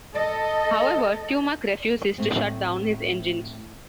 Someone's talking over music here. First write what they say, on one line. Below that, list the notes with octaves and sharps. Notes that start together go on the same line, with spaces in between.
However, Tumak refuses to shut down his engines.
A4 D#5
A2 A3 C4